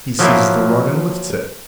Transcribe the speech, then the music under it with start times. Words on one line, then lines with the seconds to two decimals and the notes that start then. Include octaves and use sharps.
He seizes the rod and lifts it.
0.19 F3 F#3 A#3 E4